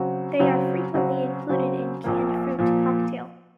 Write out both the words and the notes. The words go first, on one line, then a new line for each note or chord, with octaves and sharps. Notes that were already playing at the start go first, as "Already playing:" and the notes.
They are frequently included in canned fruit cocktail.
Already playing: C#3 F#3 C4 F#4
C#3 F#3 C4 F#4
C#3 F#3 C4 F#4
C#3 F#3 C4 F#4
A#1 A#2 F3 A#3
A#2 F3 A#3